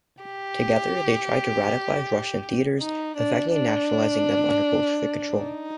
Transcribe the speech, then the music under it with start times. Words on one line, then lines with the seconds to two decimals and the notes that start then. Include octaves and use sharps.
Together, they tried to radicalize Russian theatres, effectively nationalizing them under Bolshevik control.
0.24 G4
2.80 D#4
3.17 D4
3.53 D4
5.36 D#4